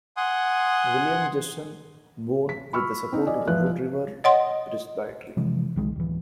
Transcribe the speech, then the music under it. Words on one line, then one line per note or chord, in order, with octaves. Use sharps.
William Judson Boone with the support of the Wood River Presbytery.
F#5 G#5 C6 D#6
B6
B5 C#6 E6 F6
C4 D#4
F4 D5 D#5 G#5
E2 F3 B4 E5 F#6
C#5 D#5 F#5 C6
C3 E3 F3 G#3
B1 D#3 G#3
D1 E3